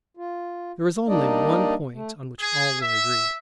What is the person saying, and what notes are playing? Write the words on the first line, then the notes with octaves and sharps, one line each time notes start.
There was only one point on which all were agreed.
F4
G3 A#3 D4 D#4 D5 D#5
A3
G#4
E5